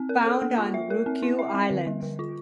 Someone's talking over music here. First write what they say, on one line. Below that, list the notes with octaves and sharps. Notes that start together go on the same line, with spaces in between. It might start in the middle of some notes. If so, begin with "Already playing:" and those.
Found on Ryukyu Islands.
Already playing: C4
A#4
A4
A#3
F4
E5
A#4
C4
E4
E5
C4
D3
G3
D3
F4